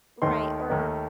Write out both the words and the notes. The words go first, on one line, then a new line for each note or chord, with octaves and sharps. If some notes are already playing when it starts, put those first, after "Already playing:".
Right, or
D#2 D#3 A3 D#4 C6
D#2 D#3 A3 D#4